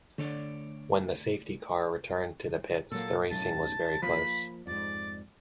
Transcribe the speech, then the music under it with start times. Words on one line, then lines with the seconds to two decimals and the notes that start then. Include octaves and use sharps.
When the safety car returned to the pits the racing was very close.
0.18 D3 A3 C#5 D5
2.92 A#2 F#3 A#3 A4
3.31 B1 F#2 A2 A5
4.03 F3 A3 A#3 B5
4.67 F2 G#2 D5